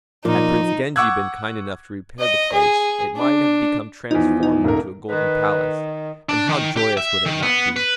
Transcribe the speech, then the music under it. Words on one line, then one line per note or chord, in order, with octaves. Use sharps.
Had Prince Genji been kind enough to repair the place, it might have become transformed into a golden palace, and how joyous would it not be?
A#2 F3 D#4
F#5 C#6 D6 E6 F#6 G#6
D#5
G#4
D4
E2 F3 D#4
D#4
D#1 A4 A#4
D#3 B4
D4
D#3
G4
E5
D#3
B3
B4